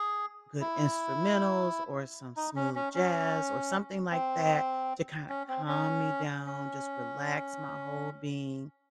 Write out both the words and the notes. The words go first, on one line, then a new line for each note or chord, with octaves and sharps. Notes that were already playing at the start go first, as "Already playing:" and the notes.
good instrumentals or some smooth jazz or something like that to kinda calm me down, just relax my whole being,
Already playing: G#4
E4
D#4
C#4
C#4
C#4
C4
C#4
C4
C#4
C#4